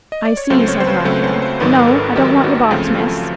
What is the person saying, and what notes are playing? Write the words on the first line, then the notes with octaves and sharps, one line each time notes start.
'I see,' said Martha; 'no, I don't want your box, miss.
D#5
D5
C#5
C#2 C#3 F#3 A3 C4 C5
C#5
C5
B4
C#5
C#2 C#3 F#3 A3 C4 C5
C5
C5
G#1 G#2 D#3 F#3 B4
A#4
A4
G#1 G#2 D#3 F#3 G4
F#4
C#2 C#3 F3 A3 C4
A4